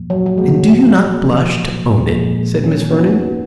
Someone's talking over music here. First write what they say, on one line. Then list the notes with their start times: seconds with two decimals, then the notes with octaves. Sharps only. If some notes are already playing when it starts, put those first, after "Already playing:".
"And do you not blush to own it?" said Miss Vernon.
Already playing: A#2 F3 A#3
0.10 F#3
0.26 F#3
0.38 A#2 F3 G#3 A#3
1.23 A#2 F3 A#3
2.07 A#2 F3 G#3 A#3
2.64 C#4
2.74 D#4
2.82 C#4
2.92 A#3 B3 D#4 F#4 B4